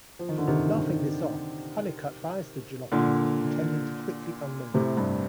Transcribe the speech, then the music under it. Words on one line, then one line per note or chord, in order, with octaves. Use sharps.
Laughing this off, Hunnicut buys the jalopy, intending to quickly unload it.
F3
D#3
D3
C3 D#3
A#2 D3
A2 C3
G2